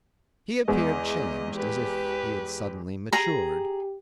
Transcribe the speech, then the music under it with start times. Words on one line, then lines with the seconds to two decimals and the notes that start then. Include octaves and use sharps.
He appeared changed, as if he had suddenly matured.
0.68 E2 G#3 D#5
1.54 G4 B4
3.13 G4 G#4 A#5